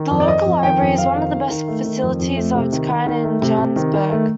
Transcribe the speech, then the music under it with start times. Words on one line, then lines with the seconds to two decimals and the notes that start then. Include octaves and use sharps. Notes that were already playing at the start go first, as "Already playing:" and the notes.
The local library is one of the best facilities of its kind in Johannesburg.
Already playing: D#3
0.10 F2
0.20 D5
0.28 F2 D#5
0.45 F2
0.63 D#3 G5
0.80 F2
0.97 F2 F5
1.16 D#3
1.32 D#3
1.50 D#3
1.68 A3
1.85 D#3
2.02 F2
2.19 F2
2.36 A3
2.55 C3
2.72 D#3
2.89 D#3
3.06 D#3
3.24 A3
3.42 C3
3.58 C3
3.76 D#3
3.94 D#3
4.11 A3